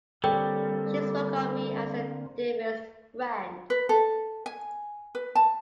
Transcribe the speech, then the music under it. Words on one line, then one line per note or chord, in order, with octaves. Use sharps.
She spoke of me as her dearest friend.
D3 G3 A#3 C4 A4 C5 C#5 G5
B4
A4
G#5
B4
A5